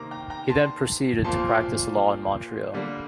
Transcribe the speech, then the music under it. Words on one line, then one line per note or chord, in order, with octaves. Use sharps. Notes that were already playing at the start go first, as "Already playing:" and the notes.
He then proceeded to practice law in Montreal.
Already playing: C3 D#3 A#3 A#5 D6
G5 A#5
G5 A#5
A5 C6
A#2 F3 A#3 A5 C6
D3 G3 A#3